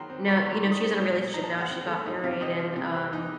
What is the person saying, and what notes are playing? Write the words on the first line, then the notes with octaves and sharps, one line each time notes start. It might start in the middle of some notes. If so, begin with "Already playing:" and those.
now, you know, she's in a relationship now, she got married and, um,
Already playing: D#3 F#3 A#5 C6
C4
F#3 C#6
C6
F#3 C#6
C6
D#4 C#6
D#6
C4 C#6
A#2
A#2
D#4 A#5
A5
D#4 F5
F#5
C4
A3
D#4
C3 F5
C4 D#5
F3
C3
C4
D#4